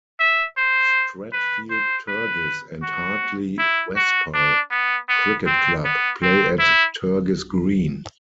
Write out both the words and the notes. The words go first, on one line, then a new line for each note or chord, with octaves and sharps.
Stratfield Turgis and Hartley Wespall Cricket Club play at Turgis Green.
E5
C5
B4
C5
B4
F#4
E4
F#4
D4
B3
B3
C4
B3
C4
E4